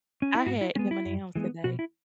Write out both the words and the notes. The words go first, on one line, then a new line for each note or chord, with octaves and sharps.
I had M&M's today.
C#4
E4
G#2 F#4
E4
G#3 B3 C#4
E4
F#2
E3 G#3 B3
B2 F#4
E4